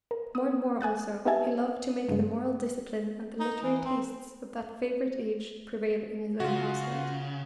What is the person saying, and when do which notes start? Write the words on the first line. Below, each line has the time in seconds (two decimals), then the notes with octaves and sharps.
More and more also he loved to make the moral discipline and the literary tastes of that favourite age prevail in his own household.
0.11 A#4
0.35 D#6
0.81 G#5 D#6 F#6 A6
1.25 B3 D#4 G4 E5 G#5 A5
2.09 G2 C#3 G#3
3.40 D#4
3.63 E3
3.85 C4
6.40 C#3 F4 F#4